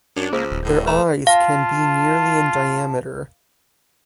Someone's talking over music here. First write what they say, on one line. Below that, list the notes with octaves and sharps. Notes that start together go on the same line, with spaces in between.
Their eyes can be nearly in diameter.
F#2 D4
C#2 A#3 G#4 C5
D#1
A2
A3 B4 A#5
F4 F5 A5